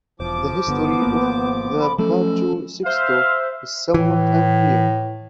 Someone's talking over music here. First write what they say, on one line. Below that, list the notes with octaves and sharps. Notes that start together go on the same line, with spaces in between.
The history of the bajo sexto is somewhat unclear.
E1 F3 C5 D6
G1 D3 B3
G#1 A#3
B5
F3 F#3 A3 C#4 A4
C5 E5 F5
A2 E3